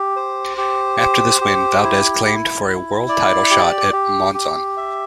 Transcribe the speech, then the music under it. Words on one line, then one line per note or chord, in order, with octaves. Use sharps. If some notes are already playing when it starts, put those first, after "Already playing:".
After this win, Valdez claimed for a world title shot at Monzon.
Already playing: G4
C5
G4
C5
G4
E4
E4
E4
D5
G4
G4
G4
E5